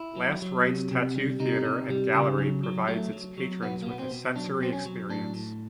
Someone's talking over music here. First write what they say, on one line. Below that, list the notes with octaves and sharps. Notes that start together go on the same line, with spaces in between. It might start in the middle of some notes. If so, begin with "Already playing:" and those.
Last Rites Tattoo Theatre and Gallery provides its patrons with a sensory experience.
Already playing: E4
F#3
F#3
C3
C3
G3
C3 D#4
C3
G3
C#3
F#3
F#3
F#3 A3
F#3
F#3
B2 B3
A#3
B2 B3
C4
B2
F#3 D4
B2 C4
C#4
F#3
A2 D4
A2